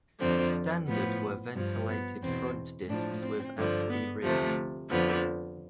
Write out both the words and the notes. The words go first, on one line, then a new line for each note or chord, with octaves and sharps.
Standard were ventilated front discs with at the rear.
F2 D3 F3 C4
A2 F3 B3
G2 F3
B3
E2 B2 C4
A2 F3 D4
C4
G2 D3 F3
B3
D2 C3 F3 A3
F2 D3 F3 B3